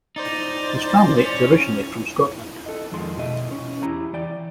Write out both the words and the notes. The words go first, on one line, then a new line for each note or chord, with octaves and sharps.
His family is originally from Scotland.
D#4 C5 D5 A6
C#4
A4 D#5
F2 D#3 F3 G#3 C6
B2 G#4 D#5 E5 G5
C#4
E2 E4 G4 A#5
E3 D5 G5